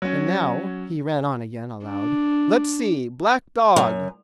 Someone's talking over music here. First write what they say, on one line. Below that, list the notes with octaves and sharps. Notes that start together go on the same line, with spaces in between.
And now," he ran on again, aloud, "let's see--Black Dog?
F#3 C#4
D4
F#2